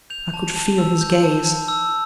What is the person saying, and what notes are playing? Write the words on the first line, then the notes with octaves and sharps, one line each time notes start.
I could feel his gaze.
G6 F7
A5
A5
E6
G6
A5
A5
E6